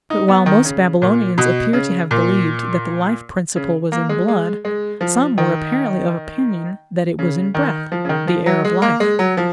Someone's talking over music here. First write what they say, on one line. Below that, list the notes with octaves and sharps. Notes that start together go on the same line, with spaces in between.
But while most Babylonians appear to have believed that the life principle was in blood, some were apparently of opinion that it was in breath--the air of life.
D#4
B3
D#3
C#3
A#2
B2
C#3
A#2
C#3
A#3
G#3
G#3
G#3
F3
D#3
C#3
D#3
F3
C#3
D#3
F3
F#3
G#3
A#3
G#3
F#3
F3